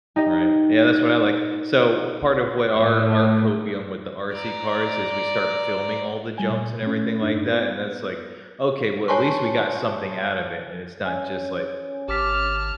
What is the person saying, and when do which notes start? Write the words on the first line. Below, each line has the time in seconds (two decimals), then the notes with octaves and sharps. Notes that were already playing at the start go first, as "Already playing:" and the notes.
Right? Yeah, that's what I liked. So, what part of where our our copium with the RC cars is we start filming all the jumps, and everything like that, and then it's like, "Okay, well, at least we got something out of it," and it's not just, like,
0.16 D#4 G4 D#5
2.74 A2
4.32 D5 A#5
6.38 G3 G#5
6.50 A#2
6.83 A3 C#4
7.22 G2 D4 D#4
7.51 B3 B4
9.08 C#5 G#5 A5 C6 C#6
11.06 C#4 C#5 G#5
12.08 G#1 G4 A5 D6 F6 B6